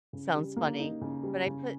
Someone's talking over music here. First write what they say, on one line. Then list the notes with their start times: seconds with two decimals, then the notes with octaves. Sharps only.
sounds funny, but I put
0.13 C#3
0.35 G3
0.56 A#3
0.79 D#4
1.01 C#3
1.23 G3
1.46 C#3